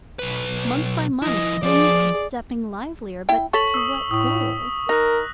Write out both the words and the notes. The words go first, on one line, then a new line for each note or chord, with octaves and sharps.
Month by month things were stepping livelier, but to what goal?
B1 B4
F3 E4 D#5
F3 G#4 D5
E4 G5
A4 C#5 C#6 B6 F#7
D#6 E6
A2 C#6 D#6
D#4 A#4 F#6 A#6